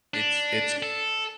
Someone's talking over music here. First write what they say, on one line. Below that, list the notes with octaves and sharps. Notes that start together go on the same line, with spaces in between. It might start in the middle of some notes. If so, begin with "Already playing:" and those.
It's it's
D4
A4